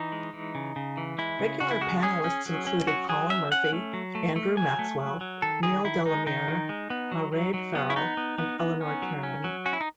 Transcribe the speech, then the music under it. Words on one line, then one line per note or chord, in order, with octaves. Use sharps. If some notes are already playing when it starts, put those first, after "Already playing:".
Regular panellists included Colin Murphy, Andrew Maxwell, Neil Delamere, Mairead Farrell and Eleanor Tiernan.
Already playing: E3 D#4
G#3
E3
C#3
C#3
E3
G#3 E4
C#3
C#3 F#4
E4
G#3 F#4
C#4 G#4
C#4
F#3
C#4
F#3 F#4
F#3 G#4
C#4 E5
C#4 F#5
A3
F#3
A3
A3
F#3 G#5
A3
F#3
F#3
D#3 A4
D#3 G#4
D#3 E4
G#3 D#4
D#3 D#4
D#3
G#3
B3
F#3
F#3
F#3
B3
E4
B3 D#4
B3
B3
B3
C#4
F#3
C#4
F#3
C#4 F#4
E4
D#4